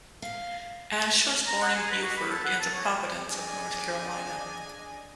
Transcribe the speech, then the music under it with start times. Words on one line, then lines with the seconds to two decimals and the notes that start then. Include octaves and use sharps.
Ashe was born in Beaufort in the Province of North Carolina.
0.22 F5
1.47 A#5
1.61 F#5
1.75 G#4
1.91 B4
2.02 F#4
2.17 B5
2.30 A4
2.44 F#5
2.60 A5
2.74 C#5
3.28 D4 G#4 D5 D#5 G#5